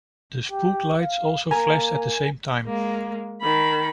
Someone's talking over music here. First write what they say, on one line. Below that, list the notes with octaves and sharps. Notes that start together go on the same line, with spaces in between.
The Spooklights also flashed at the same time.
G4
F5
A#3 A#4 G#5
G#3 A#3
D#3 B5